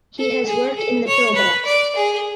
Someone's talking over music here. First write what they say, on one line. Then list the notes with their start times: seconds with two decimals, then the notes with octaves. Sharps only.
He has worked in the Pilbara.
0.18 A4
0.47 G#4
0.77 A4
1.07 C#5
1.36 B4
1.65 D5
1.96 G#4